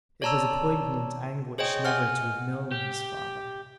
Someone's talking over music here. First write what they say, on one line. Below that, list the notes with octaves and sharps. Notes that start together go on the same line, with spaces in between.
It was a poignant anguish never to have known his father.
C#5 D5 A5 A#5 E6
G#4 C5 C#5 D#5 G5
F#5 G#5 F6
G4